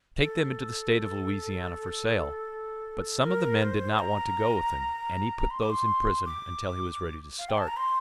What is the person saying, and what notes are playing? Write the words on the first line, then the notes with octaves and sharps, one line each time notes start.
He was to take them into the state of Louisiana for sale, but some of the men did not want to go with him, and he put those in prison until he was ready to start.
A4
A#4
C5
A#5
C6
D6
C6
D6
F5
G5
A5
A#5
C6